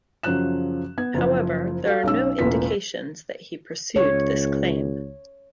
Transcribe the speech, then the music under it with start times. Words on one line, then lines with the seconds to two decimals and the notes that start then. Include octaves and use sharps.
However, there are no indications that he pursued this claim.
0.23 F#2 C#3 F3 F#3 F#6 E7
0.98 B3 G#6
1.14 F#1 F3
1.85 F#4 A4 F5
2.03 B1 C#4 E6
2.39 E1 A1 A#3 F4 B4 B6
3.96 C#2 C#5